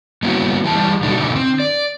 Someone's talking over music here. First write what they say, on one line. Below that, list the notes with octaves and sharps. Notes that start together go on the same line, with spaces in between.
That would be awesome.
G3 A#3 B3 C#4 E4 F#4
E3 G4 A5
B2 D3 A3 D4 D#4
B3 C4
D5